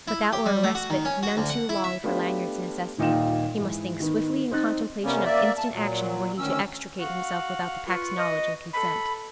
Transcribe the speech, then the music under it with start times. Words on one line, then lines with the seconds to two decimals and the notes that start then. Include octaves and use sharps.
But that were a respite none too long for Lanyard's necessity; he must think swiftly in contemplation of instant action were he to extricate himself without the Pack's knowledge and consent.
0.08 E4
0.33 G4
0.46 G3
0.64 A3
0.75 F#4
0.90 D#3
1.05 C#4
1.23 F#4
1.37 D2
1.50 F#5
1.69 E4
1.84 E5
2.03 A3 B3 D4 F4 G4
2.98 D#1 A#2 D#4 F4 G5 E7
3.57 G#2 E3
4.00 D#3 B3 D#4
4.51 C4 D#4 F#6 A6
5.04 C3 G3 A#3 B3 C#4
5.25 A#3 D5 E5
5.57 A5
5.72 A#2 F#3
6.38 D2 D#3 C#4 E6
6.99 F#4 F5
7.87 F4 B4 C#6
8.17 D#5
8.73 A4 B5